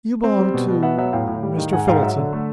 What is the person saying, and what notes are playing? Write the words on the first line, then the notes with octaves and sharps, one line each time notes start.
You belong to--Mr. Phillotson.
C4
G3
B2
B2
B3 E5 F#5
F#3 E5 F#5
A2 F5 G5
A2
G3
D#3
G#2 F#5 G#5
G#2 F5 G5
F#3 E5 F#5
D3
A3